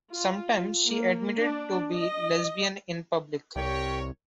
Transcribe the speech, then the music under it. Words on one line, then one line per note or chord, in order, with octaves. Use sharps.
Sometimes, she admitted to be lesbian in public.
F4
A#3
D4
D#5
C2 G4 A#4 C#5 G5